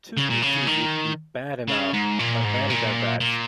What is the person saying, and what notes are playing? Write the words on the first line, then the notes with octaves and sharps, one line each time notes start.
Two fifty would be bad enough, but better than that.
C#3
A#2
C#3
D#3
C#3
G#2
A#2
G#2
A#2
A#2